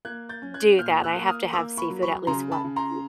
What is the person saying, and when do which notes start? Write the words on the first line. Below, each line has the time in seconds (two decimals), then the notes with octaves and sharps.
do that, I have to have seafood at least once a week.
0.05 A#3 F#6 G#6
0.29 G6 A6
0.42 C#4
0.54 F#6 G#6
0.79 A#2 F6 G6
1.04 E6 F#6
1.16 A#3
1.28 D#6 F6
1.53 A#3 D6 E6
1.77 B5 C#6
1.90 F#3
2.02 B5 C#6
2.27 C#3 A#5 C6
2.51 A5 B5
2.64 C#3
2.76 A#5 C6